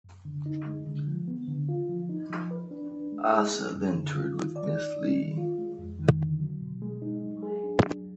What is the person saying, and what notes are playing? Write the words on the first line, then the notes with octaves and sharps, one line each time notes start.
Aasa then toured with Miss Li.
F#2
D3
D#4
G#3
D3
F3
B3
D3
F4
F3
D#4
F3
B4
D4
D4
G#3
G#4
A#3
F#2
D3
F4
D#3
D5
D#4
D#4
D#3
F4
G#3
F2
D#3
D3
F#3
B2
G#3
D#4
F#3
G#4
D4
F#3